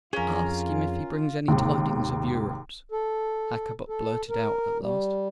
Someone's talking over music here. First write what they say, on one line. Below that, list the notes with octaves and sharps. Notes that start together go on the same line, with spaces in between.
"Ask him if he brings any tidings of Europe," Hakkabut blurted out at last.
F2 C#4 F4 G#4 A#4
D#2 G#2 C3
A4
A4
A#4
G3